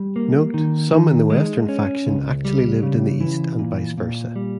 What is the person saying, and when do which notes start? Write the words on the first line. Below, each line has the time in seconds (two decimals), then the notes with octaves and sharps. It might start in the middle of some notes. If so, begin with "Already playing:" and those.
Note, some in the "western" faction actually lived in the east, and vice versa.
Already playing: G3
0.16 A#3
0.54 D#3
0.92 D#3
1.30 G#3
1.69 C#4
2.06 C#2
2.45 G3
2.83 C#3
3.21 E3
3.59 A#2
3.98 A#2
4.36 G3